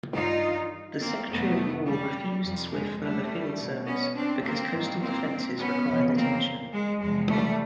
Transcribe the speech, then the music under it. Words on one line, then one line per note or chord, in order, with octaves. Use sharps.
The Secretary of War refused Swift further field service because coastal defenses required attention.
G2 D#3 G3 D#4 F4
A#3 C4
F2 C3 D#3 G3 A3 B3
G3
F2 C3 D#3 G3
G#3
G3 A3
B2 G3
B3 C#4
C4 D4
A#3 C4
G#2 D#3 G3
A#3 C4
B3 C#4
F2 C#3 E3
A#3 C4
G#3
E2 C3 F3 G#3
G3 A3